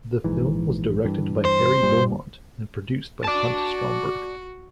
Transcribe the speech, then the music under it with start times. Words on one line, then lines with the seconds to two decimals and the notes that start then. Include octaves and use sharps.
The film was directed by Harry Beaumont and produced by Hunt Stromberg.
0.24 A#1 G#2 E3
1.05 G2 E3
1.45 C5
1.82 G2 A#2 G3
3.24 F#4 D5 A5